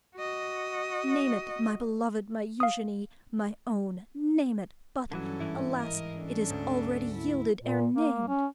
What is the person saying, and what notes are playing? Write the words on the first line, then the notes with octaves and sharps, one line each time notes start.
"Name it, my beloved, my Eugenie, my own!--name it!--but, alas! it is already yielded ere named."
F#4 D#5
F5 D#6
G2 D3 E3 F#3 C#4 A4
G#2 E3 E4
A#4 D#5
C#4 D4 A4
D2 G#2
E4
A#2
A#3
C#4